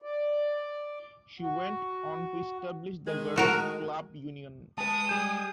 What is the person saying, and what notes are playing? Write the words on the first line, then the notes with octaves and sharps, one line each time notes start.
She went on to establish the Girls Club Union.
D5
F#4
D#3 G#3
A3 F#4 A#4
G#3 B4 G#5 A5 D#6
G3 G#4 G6 E7